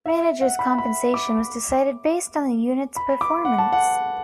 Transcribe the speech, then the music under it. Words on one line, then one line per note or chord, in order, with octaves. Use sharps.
Managers' compensation was decided based on the units' performance.
E5
F#5
B5
B5
D6
B5
D6
F#5
A5
F#5